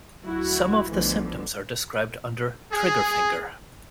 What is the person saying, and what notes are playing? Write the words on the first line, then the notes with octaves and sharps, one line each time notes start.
Some of the symptoms are described under trigger finger.
D2 F#3 E4 F#4
B1 B2 D3 E3 F3 A3
G#4